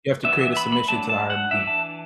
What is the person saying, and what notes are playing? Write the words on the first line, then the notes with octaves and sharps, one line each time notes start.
you have to create a submission to the IRB.
E3 B3 D4 E5
E5
B5
B5
F#3 A3 D4 A5
A5
F#5
E3 D4 E5
A5